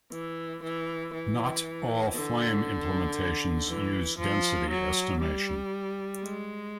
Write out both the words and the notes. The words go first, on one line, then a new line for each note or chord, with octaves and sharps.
Not all Flame implementations use density estimation.
E3
E3
E3
D3
E3
F3
F#3
G3
G#3